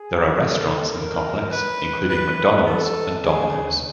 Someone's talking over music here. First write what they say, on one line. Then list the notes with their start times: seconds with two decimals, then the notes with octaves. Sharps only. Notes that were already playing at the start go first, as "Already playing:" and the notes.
There are restaurants in the complex including McDonald's and Domino's.
Already playing: G#4
0.37 A4
0.94 A#4
1.52 B4
2.10 B4
2.66 A4
3.24 G#4